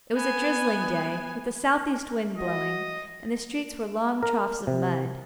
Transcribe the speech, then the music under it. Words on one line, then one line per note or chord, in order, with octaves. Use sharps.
It was a drizzling day, with a south-east wind blowing, and the streets were long troughs of mud.
B3 G#5
F#4 D#5
A#4
C3